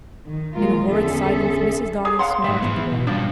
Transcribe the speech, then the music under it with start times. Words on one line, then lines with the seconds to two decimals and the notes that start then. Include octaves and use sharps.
In a horrid silence Mrs. Darling smelt the bowl.
0.24 D#3
0.54 A#2 F3 G#3 F4 A#4
0.86 E2 D3 C#4 G#4 A4 E5
2.05 G#4
2.19 F5 F#5 C6
2.44 G#2 G3 E5
2.62 E3 B3
2.92 B2
3.07 F3 G3 D4